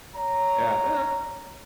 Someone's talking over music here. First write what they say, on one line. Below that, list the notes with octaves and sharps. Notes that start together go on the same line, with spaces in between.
Yeah, i
C#5 A#5